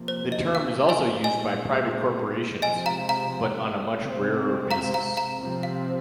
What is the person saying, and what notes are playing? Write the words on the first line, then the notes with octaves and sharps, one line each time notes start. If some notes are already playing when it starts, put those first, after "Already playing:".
The term is also used by private corporations but on a much rarer basis.
Already playing: C3 F3 A#3
C5
D#5
F5
D#5 G#5
A#2 G#3 C4 D#5 G#5
C3 F3 G#3 C4 D#5 G#5
F5 A#5
F5 A#5
C3 G#3 C4
F5 A#5
F5 A#5
F5 A#5
C3 F3 C4
F5